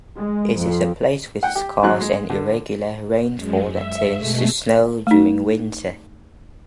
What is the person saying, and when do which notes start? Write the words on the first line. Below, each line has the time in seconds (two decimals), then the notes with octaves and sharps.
It is a place with scarce and irregular rainfall that turns to snow during winter.
0.16 G#3
0.57 F2
1.43 F#5 G5
1.55 G4
1.83 G#1 G#2 F#3 F#6
2.00 G#3
2.30 D3
3.33 F#2 G#3
3.69 E5
4.16 B2 G#3 A3
5.07 A3 D#4